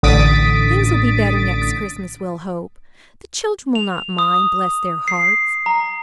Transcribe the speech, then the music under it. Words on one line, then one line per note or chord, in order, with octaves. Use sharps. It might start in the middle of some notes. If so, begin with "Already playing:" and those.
Things will be better next Christmas, we'll hope. The children will not mind, bless their hearts.
A1 D3 D#6 A6 B6 D7
F7
D#6
C7
A#5